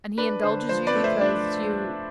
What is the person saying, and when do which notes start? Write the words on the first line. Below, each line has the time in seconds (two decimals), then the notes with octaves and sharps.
And he indulges you because you . . .
0.18 D4 B4
0.43 D3 C5
0.69 F3 C5
0.87 B4 D5
0.95 A3
1.04 C5 E5
1.21 D4